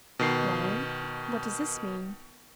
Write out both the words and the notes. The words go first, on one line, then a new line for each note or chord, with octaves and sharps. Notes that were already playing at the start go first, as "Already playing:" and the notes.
'Well? what does this mean?'
B2 D#3 C7